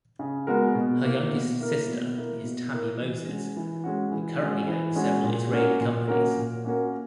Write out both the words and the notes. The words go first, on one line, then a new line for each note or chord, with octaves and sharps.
Her youngest sister is Tammy Mozes, who currently owns several Israeli companies.
C#3
G#3 B3 F#4 A#4
B2
A#3 E4 A#4
B2
A#3 E4 A#4
B2
A#3 E4 A#4
B2
A#3 E4 A#4
E3
G#3 C#4 F#4
E3
G#3 C#4 F#4
E3
G#3 C#4 F#4
E3
G#3 C#4 F#4
A#2
A#3 C#4 F#4 A#4
A#2
A#3 C#4 F#4 A#4
A#2
A#3 C#4 F#4 A#4